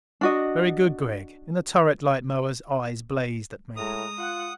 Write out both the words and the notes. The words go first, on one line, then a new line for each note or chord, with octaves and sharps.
"Very good, Gregg." In the turret light Moa's eyes blazed at me.
D4 F#4 D#5
A2 G#3 A#5 D#6
F4 F#5